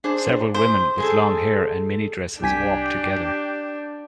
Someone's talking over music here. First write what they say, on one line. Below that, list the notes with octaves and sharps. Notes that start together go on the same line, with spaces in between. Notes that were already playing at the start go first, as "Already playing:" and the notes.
Several women with long hair and minidresses walk together.
D4 G#4 C5
G#2 C5
G#3 G#4 A4
C2 D4 G4 G#5 B6